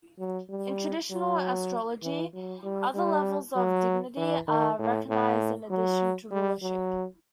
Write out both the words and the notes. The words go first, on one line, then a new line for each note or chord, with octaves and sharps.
In traditional astrology, other levels of Dignity are recognised in addition to Rulership.
F#3
G3
F#3
E3
F#3
G3
G3
F#3
E3
D#3
A2
A2
F#3
G3
F#3